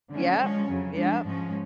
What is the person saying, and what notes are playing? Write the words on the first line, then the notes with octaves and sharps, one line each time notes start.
yup, yup.
D3 F#3 A3 C#4
F3 G#3 C#4
F2 C#3 F#3
F3 G#3 D4
G#2 F3 G#3 C#4